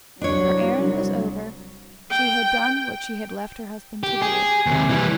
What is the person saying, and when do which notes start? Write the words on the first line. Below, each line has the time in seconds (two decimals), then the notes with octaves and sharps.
Her errand was over; she had done what she had left her husband to do.
0.22 C2 F#3 D4 C#5
2.10 G5
4.03 G4
4.22 G#4
4.66 D#2 C3
4.89 E3 G3